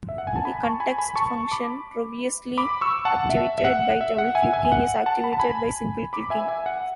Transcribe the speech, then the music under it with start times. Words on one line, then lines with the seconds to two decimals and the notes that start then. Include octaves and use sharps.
The context function, previously activated by double-clicking, is activated by single-clicking.
0.09 E5
0.18 F#5
0.27 G#5
0.36 A5
0.45 G#5 B5
0.63 A5 C#6
0.80 G#5 B5
0.98 G#5 B5
1.16 A5 C#6
1.52 B5 D6
2.58 B5 D6
2.81 C#6 E6
3.05 F#5 A5
3.30 E5
3.58 E5
3.64 F#5
4.01 E5
4.18 F#5
4.35 E5 G#5
4.53 E5 G#5
4.65 G#5
4.72 F#5
5.06 F#5 A5
5.24 B5
5.33 A5
5.40 G#5 B5
6.13 B5 D6
6.30 E5 G#5
6.48 E5 G#5
6.66 F#5